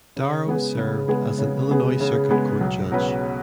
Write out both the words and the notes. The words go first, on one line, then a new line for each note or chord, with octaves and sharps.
Darrow served as an Illinois Circuit Court judge.
C#3
G#3 B3 G#4 B4
C#3
G#3 B3 G#4 B4
C#3
G#3 B3 G#4 B4
C#3
G#3 B3 G#4 B4
B1
B2 F#3 C#4 B4